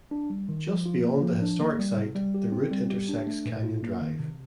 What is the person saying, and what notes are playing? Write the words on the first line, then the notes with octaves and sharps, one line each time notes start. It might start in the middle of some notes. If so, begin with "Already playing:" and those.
Just beyond the historic site, the route intersects Canyon Drive.
D4
G3
D#3
F3
F4
A#3
F3
D4
A#3
G3
C3
G3
G4
C4
G3
G4
D4
A3
A#2
F4
A#3
D#3
C3